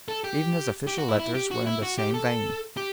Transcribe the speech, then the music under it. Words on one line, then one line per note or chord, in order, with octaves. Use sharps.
Even his official letters were in the same vein.
A4
G4
G4
F#4
E4
E4
G4
F#4
E4
F#4
G4
A4
G4